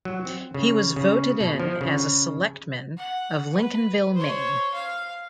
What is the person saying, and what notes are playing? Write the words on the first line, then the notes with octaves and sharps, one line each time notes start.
He was voted in as a selectmen of Lincolnville, Maine.
F#3
C4
C#3
C#3
B2
F3
C#3
F#5
B4
C5 C#5
F5